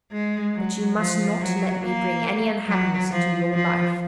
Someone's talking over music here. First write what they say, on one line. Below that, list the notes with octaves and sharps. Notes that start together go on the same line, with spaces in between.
But you must not let me bring any unhappiness into your life.
G#3
F#3
F3
F#3
A#3
F#3
F3
F3